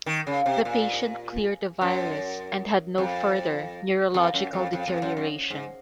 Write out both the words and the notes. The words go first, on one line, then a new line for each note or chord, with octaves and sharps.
The patient cleared the virus and had no further neurological deterioration.
D#3
C#3
C3
A#2
F#2
F2
F2
F#2
F2
F2
F2
F#2
F#2
G#2